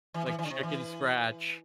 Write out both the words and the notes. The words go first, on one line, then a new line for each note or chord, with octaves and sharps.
like, chicken scratch,
E3
E3
E3
D3
C3
E3